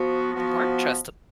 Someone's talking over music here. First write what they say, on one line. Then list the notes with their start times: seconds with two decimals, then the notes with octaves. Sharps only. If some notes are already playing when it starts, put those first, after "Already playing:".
weren't trusta
Already playing: F3 B3 F#4
0.33 F3 B3 F#4